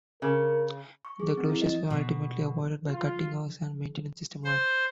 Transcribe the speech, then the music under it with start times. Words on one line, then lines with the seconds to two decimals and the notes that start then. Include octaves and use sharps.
The closures were ultimately avoided by cutting hours and maintenance system-wide.
0.22 C#3 A#4
1.05 C#6
1.20 G#4
1.37 C4
1.49 E4
1.62 D#5
1.91 B2
2.88 F4
4.44 C5